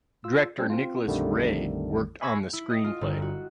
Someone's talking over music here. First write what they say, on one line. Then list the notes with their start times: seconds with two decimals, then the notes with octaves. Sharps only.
Director Nicholas Ray worked on the screenplay.
0.24 F4 E6
0.58 G3 C4 C#4 A4
0.70 C4 F4
1.06 A#1 F2 D3 D#3 G3 A3
2.22 G#5 B5 C#6 E6 G#6 A#6
2.53 E4
2.70 D#5
2.84 F4
3.01 G1
3.22 F#4